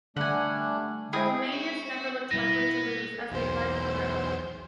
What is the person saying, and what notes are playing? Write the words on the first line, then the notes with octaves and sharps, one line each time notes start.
The Romanians never looked likely to lose as they led throughout.
D3 G3 A3 D4 F#5 G#5
G#3 E4 G#4 G5 D#6
F#4
G#1 B2 G3 B3 E4 A#6
B1 E2 C5